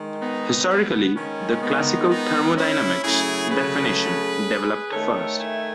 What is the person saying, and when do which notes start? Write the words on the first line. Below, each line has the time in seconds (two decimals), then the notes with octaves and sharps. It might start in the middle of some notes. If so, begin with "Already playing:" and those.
Historically, the classical thermodynamics definition developed first.
Already playing: D#3 G#3
0.22 B3 D#4
0.69 B3
1.16 D#3 G#3 C#4
1.63 B3 D#4
2.10 B3 D#4
2.57 C#4 E4
3.04 C#3 F#3 A3 E4 G#4
3.50 G#4 B4
4.91 D#3 A3 A4 C#5
5.38 E5 G#5